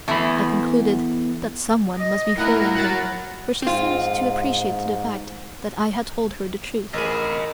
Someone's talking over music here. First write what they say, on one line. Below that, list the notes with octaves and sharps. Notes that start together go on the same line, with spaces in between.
I concluded that someone must be fooling her, for she seemed to appreciate the fact that I had told her the truth.
E2 E3 A3 B5
D#5
A2 E4 F4 A#4 F#5
F#3 F#5 A6
G#2 C4 F4
A1 F3 G#4 A#4 D#5 B5 D#7